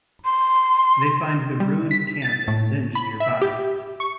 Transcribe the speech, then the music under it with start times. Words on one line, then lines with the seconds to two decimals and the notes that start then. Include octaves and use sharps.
They find the ruined camp and Zinj nearby.
0.25 C6
1.60 G3
1.91 B6
2.22 A6
2.48 A2
2.95 B5
3.20 E5
3.42 G4
4.00 C#6